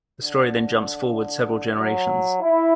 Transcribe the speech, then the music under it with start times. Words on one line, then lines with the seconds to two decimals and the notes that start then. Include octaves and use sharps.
The story then jumps forward several generations.
0.20 D3
1.78 F#3
2.41 E4